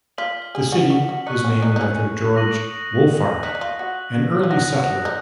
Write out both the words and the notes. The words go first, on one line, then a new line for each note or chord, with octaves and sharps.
The city is named after George Wolffarth, an early settler.
F4 F6 B6 F#7
G#4
F#4
F#4
F#4
D#4 C#6 F#6 C#7
C#4
D#4
D#4
C#4
D#6 A#6 D#7 F#7
D#4 F#6 B6 F#7
D#4
F4
F#4
F4
F#4 D#6 F#6 A#6
F#4
D#4